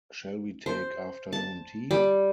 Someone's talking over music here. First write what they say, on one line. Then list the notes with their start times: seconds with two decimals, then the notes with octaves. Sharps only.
Shall we take afternoon tea?
0.66 C5
1.33 A5
1.91 G3